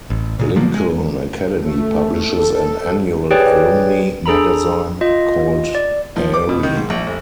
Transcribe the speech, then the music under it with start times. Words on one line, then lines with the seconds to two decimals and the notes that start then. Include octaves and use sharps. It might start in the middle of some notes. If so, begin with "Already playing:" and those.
Lincoln Academy publishes an annual alumni magazine called Aerie.
0.10 A1
0.39 A#2 C#3
0.55 D3 F3 F#3 A#3
0.74 G#3
1.63 A3
2.33 A4
3.31 G4 G#4 B4 C#5 D5 G5
4.26 D4 G#4 A4 A#5 B5
5.01 F4 D#5
5.75 D5
6.17 F3
6.34 D6
6.49 B2
6.63 D#3
6.76 G#2
6.90 A#1
7.07 F1